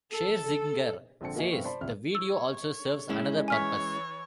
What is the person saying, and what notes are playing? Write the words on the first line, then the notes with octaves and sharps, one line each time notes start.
Scherzinger says the video also serves another purpose.
A4
A#1 D3 C4 A5 C#7
A#3 F#4 D#5 E5 G#5
G2 C3 B3 C4 F5 C#6
C5 D5 A5 B5 C6
G#1 C#2 E5 F6
C#5 E6
G#3 C#4 E4
E3 C#5 G#5 F6 B6